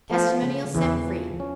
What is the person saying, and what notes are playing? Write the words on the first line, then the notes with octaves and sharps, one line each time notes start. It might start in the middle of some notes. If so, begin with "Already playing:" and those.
Testimonials SENT FREE.
F3 A3
C#3
E2 E3
F3
C#4